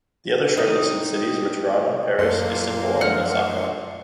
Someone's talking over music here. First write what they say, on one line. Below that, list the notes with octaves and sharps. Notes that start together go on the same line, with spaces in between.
The other shortlisted cities were Toronto, Paris, Istanbul and Osaka.
C4 D#4
A#1 F#2 A#3 A4 C6 C#7
F3 A3 D4 F#5 F6 F#6